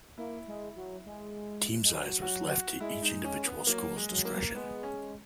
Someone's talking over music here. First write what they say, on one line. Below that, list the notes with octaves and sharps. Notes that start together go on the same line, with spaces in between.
Team size was left to each individual school's discretion.
A#3 E4
G#3
F#3
G#3
G#3
F#3
F#4
F#4
G#3 E4
D#4
C#4
B3
F#3 A#3
G#3
F#3
A#3
G#3 B3
C#4